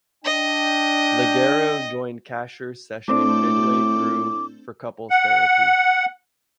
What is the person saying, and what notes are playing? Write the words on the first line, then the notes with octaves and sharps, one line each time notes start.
Leggero joined Kasher's session midway through for couples therapy.
D4 D#5 G5
A2 A3 C4 D4 D6
F#5